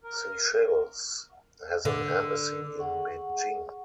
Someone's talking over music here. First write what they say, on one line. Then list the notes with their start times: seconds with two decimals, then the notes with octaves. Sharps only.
Seychelles has an embassy in Beijing.
0.04 A#4
1.85 D3
2.79 G#4 F#5 C#6